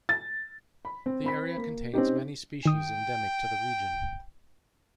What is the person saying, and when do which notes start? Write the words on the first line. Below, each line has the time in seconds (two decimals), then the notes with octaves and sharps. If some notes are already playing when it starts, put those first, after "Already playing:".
The area contains many species endemic to the region.
0.09 A6
0.85 B5
1.06 C4
1.24 C4 B5 B6
1.58 A#3
1.93 C4 C#4 D#4 G4
2.65 D#3 G5 D#6